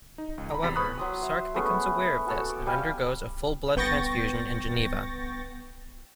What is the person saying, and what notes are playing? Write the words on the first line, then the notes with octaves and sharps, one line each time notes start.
However, Sark becomes aware of this and undergoes a full blood transfusion in Geneva.
D#4
C#2
A#5 B5
E2 C3 B5 A6 B6
B4 B5 C#6 D#6 F#6
F#3 C6 D#6
E5
A3 B3 C#4 G#4
F#4 A4
D6
G3 F5 G#5
G1 B3 G5 C#6 A6 A#6